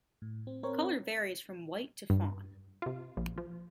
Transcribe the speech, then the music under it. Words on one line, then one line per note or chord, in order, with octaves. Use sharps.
The color varies from white to fawn.
A2
C4
C4 A#4 C5 C#5
G2
C3 F4
A#1
F3